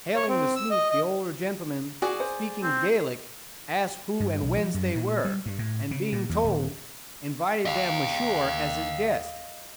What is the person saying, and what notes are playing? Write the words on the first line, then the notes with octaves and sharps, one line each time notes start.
Hailing the sloop, the older gentleman, speaking Gaelic, asked who and whence they were, and being told, invited them ashore as his guests.
C#5
C4
E6
D#5
D#5
F#4 G#4 D5
C5
C4
G2
B1
F3
F#2
A#2
G3
G2
A2
C#3
A#2
E2
D#1
D#5 F5